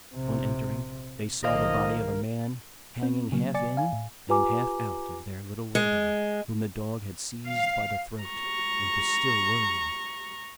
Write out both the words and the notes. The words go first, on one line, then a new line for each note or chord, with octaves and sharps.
On entering they saw the body of a man hanging half in and half out of their little window, whom the dog had seized by the throat, and was still worrying.
A#1 C3
B1 D#3 F3 A#4 D#5 F5
C4
C#3 F#3 A#3
D5 G#5 D6 A6 C#7
F5 G#5
A2
F4 G4 B4 G#5 A#5 D6
G#3
F5
A#5 C#6